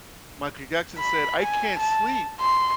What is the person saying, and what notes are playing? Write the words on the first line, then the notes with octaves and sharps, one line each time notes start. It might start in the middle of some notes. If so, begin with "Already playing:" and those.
Michael Jackson said, "I can't sleep
B5
G#5
A5
C6